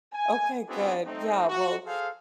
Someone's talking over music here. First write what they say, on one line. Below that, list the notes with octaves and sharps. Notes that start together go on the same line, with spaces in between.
Okay, good, yeah, well,
G#5
B3 C4 D4 E4 F#4 G#4
A3 C4 D#4
F#4
G#4 A4 C5 F5